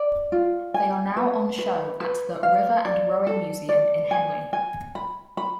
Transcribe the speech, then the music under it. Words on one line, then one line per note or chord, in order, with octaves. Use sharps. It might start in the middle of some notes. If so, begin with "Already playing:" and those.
They are now on show at the River and Rowing Museum in Henley.
Already playing: D5
F4
G#5
B4
B4
B4
F5
D5
A4
D5
G#5
G#5
B5
B5